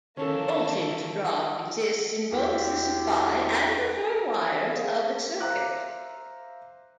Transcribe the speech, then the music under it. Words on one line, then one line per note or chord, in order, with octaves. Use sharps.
Voltage drop exists in both the supply and return wires of a circuit.
D#3 E3 A#3 C#4 A4 A5
E2 E4 F#4 G4
G#4 A#4 C5 F5
C5 E5 F5 A#5 D6 F#6